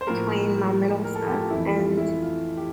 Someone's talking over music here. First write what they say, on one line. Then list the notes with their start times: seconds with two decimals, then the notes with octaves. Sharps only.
between my mental stuff and
0.01 C5
0.07 A2 F3 A#3 A#4
1.04 A#4
1.16 A4
1.28 G4
1.39 F4
1.50 F2 E3 A3 E4
1.75 F4
1.97 E4
2.22 F4
2.57 G4